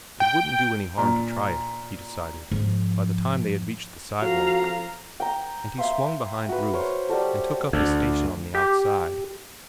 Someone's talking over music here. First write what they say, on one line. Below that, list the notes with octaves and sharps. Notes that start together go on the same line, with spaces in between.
It wouldn't do any harm to try it, he decided, by the time they had reached the sidewalk; and he swung behind Ruth and took up his station on the outside.
G5
A#2
G#2 F3
F3 F#4 A4 F5 A#5
G5 A#5
E5 F5 C6 D#6
F#4 B4
A#4 C5 C#5
G3 F#4 A4
D2
G4